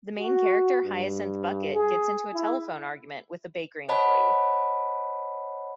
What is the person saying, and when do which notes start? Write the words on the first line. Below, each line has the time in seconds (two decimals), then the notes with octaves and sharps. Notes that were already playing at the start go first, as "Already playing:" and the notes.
The main character, Hyacinth Bucket, gets into a telephone argument with a bakery employee.
0.18 F#4
0.84 G2
1.73 G#4
2.33 E4
3.88 C5 C#5 D#5 F#5 A5 B5